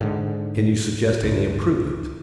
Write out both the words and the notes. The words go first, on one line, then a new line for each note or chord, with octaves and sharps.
Can you suggest any improvement?
G#2 D3
C#2